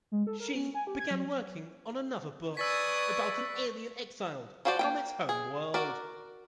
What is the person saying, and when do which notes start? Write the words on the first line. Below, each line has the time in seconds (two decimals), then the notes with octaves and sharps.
She began working on another book about an alien exiled from its home world.
0.12 G#3
0.27 A4
0.40 A#4
0.55 C#4
0.74 G#5
0.87 G4
0.99 G#6
1.11 F#3
2.57 B4 D5 G#5 C#6 D#6 E6 A6 B6
4.65 F3 F4 F#4 C5 D5
4.79 A#3 D#4 G5
5.29 G#4
5.74 F#4 A#4 D5